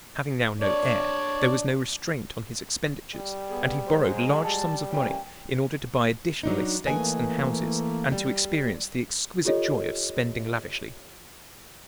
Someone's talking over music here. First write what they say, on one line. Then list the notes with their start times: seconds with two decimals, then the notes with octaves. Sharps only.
Having now no heir, there was no restraint on his expenditures, and he borrowed large sums of money in order to buy additional estates and houses and to experience the exquisite joy of spending lavishly.
0.62 D4 C#5 D5
3.15 G3
3.49 B3 G#4
3.86 F#3 G#3 C5
4.43 G3 A5
4.90 E3 A#3 C#4 G5
6.43 F#3 D4 D#4
6.86 E3 A3 A#3 B4 D#5 G#5
8.12 G3
9.45 F4 G4 A4 C#5 D#5